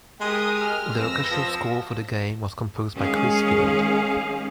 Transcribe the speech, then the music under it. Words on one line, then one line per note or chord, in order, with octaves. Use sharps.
The orchestral score for the game was composed by Chris Field.
G#3 G4 A#4 D#6
F6
F2 B4 E6 A#6
F3
D#3 G#3 C#4 G#4 F5